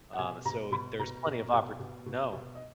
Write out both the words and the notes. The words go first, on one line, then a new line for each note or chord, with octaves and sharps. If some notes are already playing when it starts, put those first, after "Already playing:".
Um, so there's plenty of opport No.
F#5
B2 G#5
B2 A#5
B2 B5
B2 A#5
B2
B2
B2
B2
B2
D#5